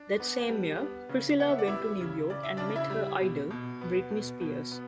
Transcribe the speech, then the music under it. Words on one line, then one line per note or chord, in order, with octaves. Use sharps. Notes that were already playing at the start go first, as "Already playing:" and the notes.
That same year, Priscilla went to New York and met her idol Britney Spears.
Already playing: D4
B3
G3
B3
C#3
B3 F#5
E5
D5
G3 E4 E5
C#3
C#3 D5
E5
C#3 D4 D5
E4 E5
G3
B2
B2
B3
B2
B2
B3